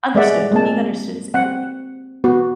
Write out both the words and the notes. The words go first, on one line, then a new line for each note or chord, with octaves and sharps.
understood, being understood is everything.
G#3 D5 E5 F#5
G#3 A#3 C4 A5
C4 F#5
B3 F#4